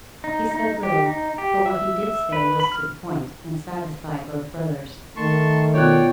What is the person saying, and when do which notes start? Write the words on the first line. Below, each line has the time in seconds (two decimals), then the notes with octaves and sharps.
He said little; but what he did say was to the point, and satisfied both brothers.
0.24 D#4
0.51 D#4
0.83 G4
1.06 D#4
1.38 G4
1.66 E5
2.03 E5
2.32 B4
2.60 B5
2.72 F6
5.16 D#3 A3 A5 C6 C#6
5.73 B2 F3 C#5 D5 G5 F#6